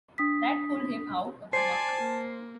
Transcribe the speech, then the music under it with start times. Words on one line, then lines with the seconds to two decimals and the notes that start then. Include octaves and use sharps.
That pulled him out of the muck.
0.18 D4 D#6 B6
1.53 C5 D5 G#5 A5 C7
2.01 A#3